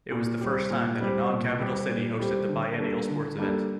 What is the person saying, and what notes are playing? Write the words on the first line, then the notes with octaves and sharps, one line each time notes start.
It was the first time that a non-capital city hosted the biennial sports event.
A#2
G3 C4 G4
A#2
G3 C4 G4
A#2
G3 C4 G4
A#2
G3 C4 G4
D3
G3 A#3 D4 A4
D3
G3 A#3 D4 A4